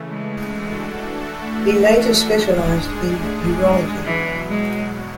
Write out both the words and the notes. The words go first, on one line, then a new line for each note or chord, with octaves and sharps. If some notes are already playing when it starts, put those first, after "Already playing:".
He later specialised in urology.
Already playing: C#3 E3 A3
G#3
E3 A3 D4 F#4 A4
A3
G#2 G#3 D4 G#4
A3
G#3
E2 B2 E3 F#3
G#3